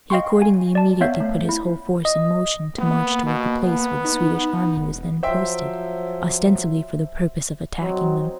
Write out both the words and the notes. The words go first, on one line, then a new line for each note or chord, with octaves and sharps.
He accordingly immediately put his whole force in motion to march toward the place where the Swedish army was then posted, ostensibly for the purpose of attacking them.
D#5 F5 G5 C6 C#6
G#5
D5 A5
B3 C#5 E5 F5 G6
A3
E4
D#5
A#3 B3
B2
B3
D#4
E1
F3 F#3 C5 E5 G5
F#3 C4 D#4